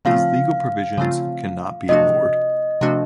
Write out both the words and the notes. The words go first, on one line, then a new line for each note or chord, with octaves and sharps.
These legal provisions can not be ignored.
C#3 F3 A3 C4 F4 F5
C#3 F3 A3 C4 F4
C3 F3 A3 D4 F#4 D#5
C3 F3 A3 D4 F#4